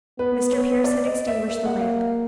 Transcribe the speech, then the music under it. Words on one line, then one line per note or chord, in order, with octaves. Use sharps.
Mr. Pearce had extinguished the lamp.
B3 B4
C#5
D5
D#5
E5
A#3 E5
F#5
F5